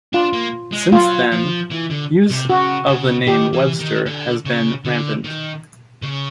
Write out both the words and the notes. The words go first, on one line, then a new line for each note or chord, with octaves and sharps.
Since then, use of the name "Webster" has been rampant.
D4 F4
A#3
G#3
F#3 F4
F3
E3
D3
C3
C#3 F#4
C#3
D#3 G4
E3
D#3
D3
C#3
D3
D#3
C#3